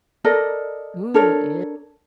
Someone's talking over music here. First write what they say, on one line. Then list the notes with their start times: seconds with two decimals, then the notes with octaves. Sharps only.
Ooh, yea
0.24 A4 A#4 D5 D#5
1.14 D4 A4 A#4 C#5